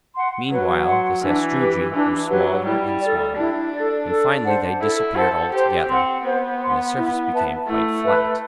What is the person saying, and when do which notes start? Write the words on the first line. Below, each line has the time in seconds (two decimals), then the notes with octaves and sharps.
Meanwhile the sastrugi grew smaller and smaller, and finally they disappeared altogether, and the surface became quite flat.
0.15 F#5 C6
0.50 F#3 B4
0.86 F#5 C6
1.22 E3 D4
1.57 G4 B4
1.94 E3 D4
2.29 F#3 G4 B4
2.66 G3 E4
3.01 A4 D5
3.37 D4 E4
3.73 A4 D5
4.09 A4
4.44 C5 F#5 A5
4.81 E4 A4
5.16 A4 C5 F#5 A5
5.52 G4 C5
5.88 C4 F#5 C6
6.24 B3 C5
6.60 F#5 C6
6.96 E4
7.31 B4 E5 A5
7.67 A3 E4
8.03 B4 E5 A5